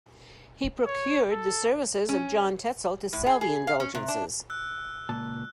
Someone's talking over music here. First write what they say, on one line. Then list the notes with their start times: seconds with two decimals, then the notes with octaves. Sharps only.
He procured the services of John Tetzel to sell the indulgences.
0.87 C#5
1.32 A4
2.09 C#4
3.13 A2
3.26 G#4
3.41 G#4
3.67 F5
3.80 C#4
3.95 C3
4.08 D4
4.50 E6 F#6
5.09 C#2 A#2 A5